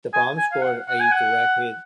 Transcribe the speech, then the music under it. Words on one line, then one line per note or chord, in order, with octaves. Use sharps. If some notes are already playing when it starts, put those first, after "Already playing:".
The bomb scored a direct hit.
G#5
G#5
F5
F#5
F#5
G#5
F#5